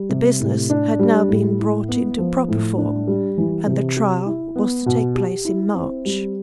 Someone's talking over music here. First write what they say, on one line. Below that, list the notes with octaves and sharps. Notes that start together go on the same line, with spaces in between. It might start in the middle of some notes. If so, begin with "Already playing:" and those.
The business had now been brought into proper form, and the trial was to take place in March.
Already playing: G3
C3
A2
D4
G3
A2
E4
B3
F3
A2
D4
G3
E3
C3
G4
E4
B3
B2
G4
E4
C4
G3